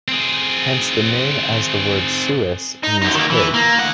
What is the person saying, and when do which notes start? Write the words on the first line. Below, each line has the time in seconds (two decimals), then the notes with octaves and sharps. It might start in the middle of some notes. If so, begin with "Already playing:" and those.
Hence the name as the word "suis" means pig.
0.08 C4 G#4
2.83 D#4
3.02 F#2 D#4
3.15 D#3 A#3
3.30 E3
3.54 A#3
3.78 D2 F#5